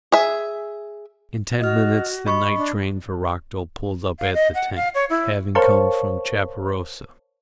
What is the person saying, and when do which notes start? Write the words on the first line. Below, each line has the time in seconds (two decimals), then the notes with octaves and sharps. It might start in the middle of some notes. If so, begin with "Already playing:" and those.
In ten minutes the night train for Rockdell pulled up at the tank, having come from Chaparosa.
0.12 G#4 E5
1.61 F#4 D#5 F6
2.26 D#5 B5 C#6
2.56 D4
4.19 F5
4.34 D#5
4.55 F#5
4.75 F5
4.95 C#5
5.10 E4
5.55 A#4 C5 C#5 F5 A5 C#6